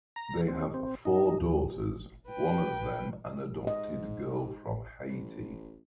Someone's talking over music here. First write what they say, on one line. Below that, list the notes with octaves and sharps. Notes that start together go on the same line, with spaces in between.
They have four daughters, one of them an adopted girl from Haiti.
A#5
C4
C4
D#4
D#2
B4 G5
G#2 D#5
A1